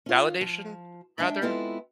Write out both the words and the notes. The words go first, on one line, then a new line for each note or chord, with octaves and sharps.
Validation rather?
C#4 F4
F3
G#3 D4 E5 G5
G#3 B3 C4 E4 F4 A4